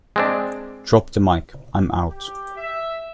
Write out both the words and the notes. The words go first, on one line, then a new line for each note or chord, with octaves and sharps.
Drop the Mic, I'm out.
G#3 C4 D4
G4
E5